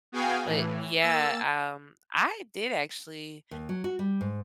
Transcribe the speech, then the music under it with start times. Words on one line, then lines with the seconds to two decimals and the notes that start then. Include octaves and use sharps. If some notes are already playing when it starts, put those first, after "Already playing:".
But, yeah, um, I did actually
0.12 B3 F#4 G#4 F5 G5 G#5
0.45 A2 E3
1.00 A#3 E6 A6
3.51 D#2
3.69 F#3
3.84 F#4
3.99 G3
4.21 G#2